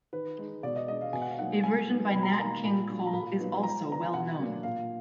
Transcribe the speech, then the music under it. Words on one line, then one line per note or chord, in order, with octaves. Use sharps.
A version by Nat King Cole is also well known.
D#3 B4
G#3 D#4
B2 D5
D#5
G#3 D4 D#5
F5
B2 G#5
F#5
F5
F#3 A#3 D#4 F#5
B2 G#5
F#3 B3 D#4
B2 B5
A#5
G#5
A#3 D#4 A#5
A#2 B5
F#3 D4
A#5
A#2 B5
F#3 B3 D#4
F3 A#5
B3 D4 A#5
G#5
B2 F#5
F#3 A#3 D4
A#2 F5